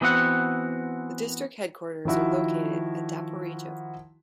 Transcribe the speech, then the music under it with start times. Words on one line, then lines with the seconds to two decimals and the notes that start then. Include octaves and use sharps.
The district headquarters are located at Daporijo.
0.01 E3 B3 C4 F#4 F#5
2.05 D#3 F3 E4 F#4